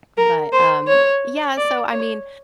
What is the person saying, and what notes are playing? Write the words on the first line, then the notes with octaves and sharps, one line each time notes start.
But, um, yeah, so, I mean,
A#4
C5
C#5
D5
C#5